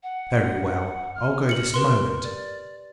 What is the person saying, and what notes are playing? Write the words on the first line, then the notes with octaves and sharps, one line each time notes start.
Very well, I'll go this moment.
F#5
F6
C#7 F#7
G4 A#4 B4 C6
D5